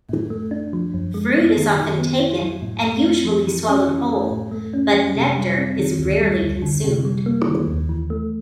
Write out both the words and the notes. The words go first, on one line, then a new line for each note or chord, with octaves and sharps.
Fruit is often taken and usually swallowed whole, but nectar is rarely consumed.
A2
A3
D4
F3
F#2
G#3
B3
D#3
D#3
B3
E4
F#3
A2
A3
C4
F3
E3
C#4
E3
A3
A2
A3
C#4
F#3
C3
G3
C4
D#3
D2
G3
D2
D3
C3
G3
A#3
D#3
D#2
E3
A3